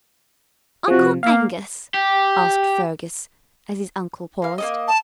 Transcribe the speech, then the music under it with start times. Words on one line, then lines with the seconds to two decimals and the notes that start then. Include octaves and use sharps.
"Uncle Angus," asked Fergus, as his uncle paused.
0.88 C3 F3 F#4
1.23 A#3 F5
1.94 G4
4.42 A#3 F5
4.58 A#3 C#4 D#5
4.88 A5